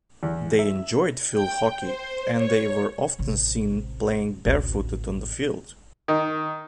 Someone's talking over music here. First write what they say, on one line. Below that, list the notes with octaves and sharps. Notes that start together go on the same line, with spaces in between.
They enjoyed field hockey, and they were often seen playing bare-footed on the field.
E2
E5
G5
C5
C#5
A1 C3
A1 D2
D#3